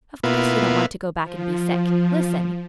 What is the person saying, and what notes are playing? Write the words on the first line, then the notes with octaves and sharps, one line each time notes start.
Of course you don't want to go back an' be sick! Listen!
B2 A#3 B3 E4 F4
F3